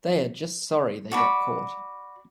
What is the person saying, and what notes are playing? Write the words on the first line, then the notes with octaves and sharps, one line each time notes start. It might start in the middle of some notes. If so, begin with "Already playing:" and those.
They are just sorry they got caught.
F#4 D5 B5